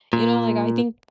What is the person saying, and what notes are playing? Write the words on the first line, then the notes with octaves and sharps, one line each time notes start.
you know, like, I think,
A#2